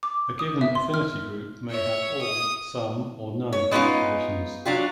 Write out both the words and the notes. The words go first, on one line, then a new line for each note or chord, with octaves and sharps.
A given Affinity group may have all, some or none of these positions.
D6
D#6
E5
C6
F6
C#5 E5
D#6
C#5
G#3 B3 C#4 D#4 F4
F#3 D4 F4 G4